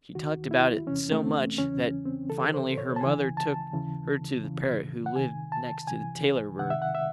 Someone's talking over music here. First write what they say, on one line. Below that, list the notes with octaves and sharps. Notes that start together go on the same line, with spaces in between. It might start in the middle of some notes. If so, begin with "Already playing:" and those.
She talked about it so much that finally her mother took her to the parrot who lived next to the tailor bird.
D#2 D#3 F#4
E4
E2 C3 E3 C#4
A3
C4
E2 C#3 E3 C#4
C4
C#2 C#3 E3 A4
C5
C#5
A5
C#2 C#3 E3 G#5
A5
D#2 C#3 E3
E2 C#3 E3
F#5
C2 C3 D#3 G#5
A5
C2 C3 E3 G#5
C#2 C3 D#3 F#5
E5
F#5
E5